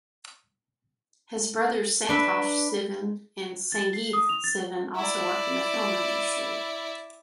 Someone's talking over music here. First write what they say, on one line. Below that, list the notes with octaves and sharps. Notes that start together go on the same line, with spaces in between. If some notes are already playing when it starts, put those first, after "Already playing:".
His brothers Santosh Sivan and Sangeeth Sivan also work in the film industry.
D4 B4 E5
A6
C7
D#6
F7
A6
E4 D5